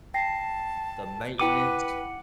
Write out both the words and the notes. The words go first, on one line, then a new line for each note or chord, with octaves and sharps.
the maintenance.
G5 A5 A#6 C7
E4 B4 F#5 G5 D6 D#7